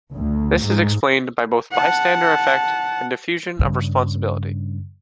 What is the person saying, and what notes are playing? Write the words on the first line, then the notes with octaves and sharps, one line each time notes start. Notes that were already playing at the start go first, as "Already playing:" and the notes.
This is explained by both bystander effect and diffusion of responsibility.
D2
G#2
F#5 A5
G2 C#3